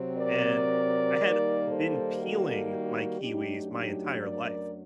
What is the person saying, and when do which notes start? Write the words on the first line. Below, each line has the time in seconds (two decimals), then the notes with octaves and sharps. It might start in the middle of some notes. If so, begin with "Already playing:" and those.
And I had been peeling my kiwis my entire life
Already playing: C3 F#3 C4
0.17 A#4 D5
1.18 D#3 G3 A#3 D#4
1.68 A4 C5
2.18 F#4 A4
2.69 F#4
3.19 F#2 F#3 A3 D4 D#4 G4
3.70 D#4 G4
4.20 A#4 D5